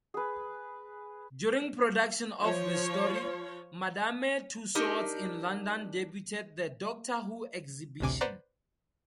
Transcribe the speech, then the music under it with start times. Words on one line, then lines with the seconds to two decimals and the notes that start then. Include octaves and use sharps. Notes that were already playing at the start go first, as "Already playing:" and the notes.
During production of this story, Madame Tussauds in London debuted the "Doctor Who Exhibition".
0.14 G#4 B4
2.42 F3 C#5
4.75 D4 D#4 G4 A#4 D#5
8.00 A1 D2 C3 G#5 D6
8.21 B4 C5 D5 F#5 A#5